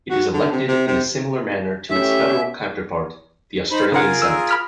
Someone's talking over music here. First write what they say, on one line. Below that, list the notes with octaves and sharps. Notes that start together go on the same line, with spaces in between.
It is elected in a similar manner to its federal counterpart, the Australian Senate.
F#4
D3
C3
C3
C3
A2 C#4 G4 E5
D#4 C5 B5
C#3 F4 G#4 A#4 F#5
E6
B5 F6 B6